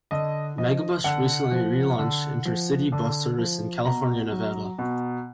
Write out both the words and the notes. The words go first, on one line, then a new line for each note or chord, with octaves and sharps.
Megabus recently relaunched intercity bus service in California and Nevada.
D3 D#5
F3 D#5
D3 F#5
F3
D3
F3
D3
F3
B2 A#5
F#3
B2